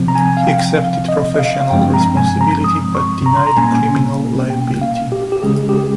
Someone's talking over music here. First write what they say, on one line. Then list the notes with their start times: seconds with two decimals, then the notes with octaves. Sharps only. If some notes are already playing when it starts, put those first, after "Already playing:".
He accepted professional responsibility but denied criminal liability.
Already playing: C3 F3 C4
0.08 A#5
0.15 G#5
0.37 F5
0.47 G5
0.78 F5
1.09 D#5
1.34 D#5
1.39 F5
1.61 F5
1.70 G2 F3 G#3 C4 G5
1.94 A#5
2.17 G#5
2.41 A#5
2.64 D#6
2.95 C#6
3.26 A#5
3.37 C6
3.47 A#5
3.56 A#2 G3 A#3 C#4 G#5
4.50 G5
4.82 F5
5.12 G4
5.32 G4
5.43 C#3 G#3 C#4 G#4
5.69 G4
5.74 G#4